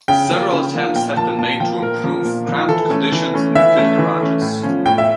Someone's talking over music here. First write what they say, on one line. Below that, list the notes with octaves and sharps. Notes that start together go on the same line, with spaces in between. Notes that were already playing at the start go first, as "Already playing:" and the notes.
Several attempts have been made to improve cramped conditions in the pit garages.
C#3 G5
F3 A#3
C#3
F3 A#3
A#2 G5
F3 A#3 A5
A#2 A5
F3 A#3 G5
A#2 A#4
F3 A#3
A#2
F3 A#3
E3 A4
A3 C#4
E3
A3 C#4
E3 E5
A3 C#4
E3
A3 C#4
A2
F3 C#4
A2 G5
E5